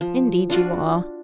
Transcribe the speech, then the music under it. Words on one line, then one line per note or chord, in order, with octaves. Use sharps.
'Indeed you are.
F3
D4 F4 F#4 D5